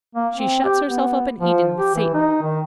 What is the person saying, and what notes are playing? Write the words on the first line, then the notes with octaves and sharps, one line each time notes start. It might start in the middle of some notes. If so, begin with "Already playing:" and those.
She shuts herself up in Eden with Satan.
A#3
C4
G4
B3
F3
G4
E3
D#4
D#3